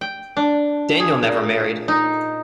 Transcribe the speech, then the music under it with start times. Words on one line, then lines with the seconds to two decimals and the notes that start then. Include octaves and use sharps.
Daniell never married.
0.01 G5
0.37 D4
1.00 G#4
1.23 A#2
1.88 D#4